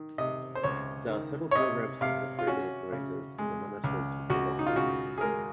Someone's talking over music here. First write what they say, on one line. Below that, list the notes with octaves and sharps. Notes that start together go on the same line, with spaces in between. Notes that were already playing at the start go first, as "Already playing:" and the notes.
There are several programs to help radio operators in the management of their logbook.
Already playing: D#3
C3 D#5
C5
C#2 C#5
D#3
C#5
C3 D#5
C3 F5
F4
C#4 F#4
C#3
G#3
C#2
C#2 F#4
D#4
F4
C#3 F#4
G#4
G#3 A#4